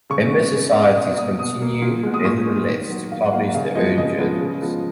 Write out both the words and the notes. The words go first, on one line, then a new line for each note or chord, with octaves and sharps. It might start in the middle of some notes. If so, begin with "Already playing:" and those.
Member societies continue nevertheless to publish their own journals.
C#3 C#6
G#3 B3
C#3
B3
G#3
B2 D#6
A#3 D#6
B2 D#6
A#3
A#2
G#3 B3
D#6
A#2 C#6
G#3 B3
D#3
F#3 A#3
D#3 F5
F#5
F#3 A#3 F5
F#5
C#3 F5
F3 G#3 B3 D#5
C#3 D#5
F3 G#3 B3
C#3
F3 G#3 B3